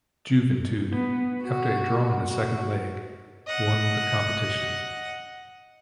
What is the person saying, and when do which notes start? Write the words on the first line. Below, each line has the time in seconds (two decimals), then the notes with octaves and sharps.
Juventude, after a draw in the second leg, won the competition.
0.92 B3
1.43 F#4
2.25 F#4
3.47 D#5 F#5